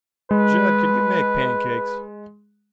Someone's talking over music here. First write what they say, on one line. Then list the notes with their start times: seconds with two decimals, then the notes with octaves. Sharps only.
"Jud, can you make pancakes?"
0.31 G#3 B4